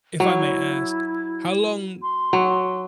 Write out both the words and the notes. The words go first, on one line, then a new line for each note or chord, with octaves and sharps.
if I may ask, how long
F#3 E4
C6
F#3